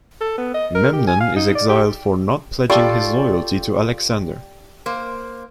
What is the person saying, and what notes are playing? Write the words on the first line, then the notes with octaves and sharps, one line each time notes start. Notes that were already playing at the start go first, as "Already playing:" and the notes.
Memnon is exiled for not pledging his loyalty to Alexander.
A4
B3
D#5
A#4
G4
G#5
F5
D#4
D5
G4
F4 G4 A4 D5 C#6
A#3 C5